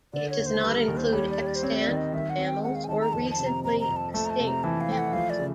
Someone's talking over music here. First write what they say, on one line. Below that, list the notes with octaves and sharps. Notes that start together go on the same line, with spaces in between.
It does not include extant mammals or recently extinct mammals.
D3 D5
C#5
D#2
C5
G3 B4
A4
A#4
D#2
C5
G3 C#5
D5
G3 C#5
D5
C5
C4 C#5
D5
D#3
D#5
D#3 E5
F#5
C4
G5
G#3 F#5
F5
G#5
D#3 A5
A#5
F2 A5
A5
C3
A#5
F2 A#5
A#5
F2
A5
A3 A5
A#5
A5
C3
A#5
E3 A5
F5
A3 G5
F#5
F3 F5
D5
C#3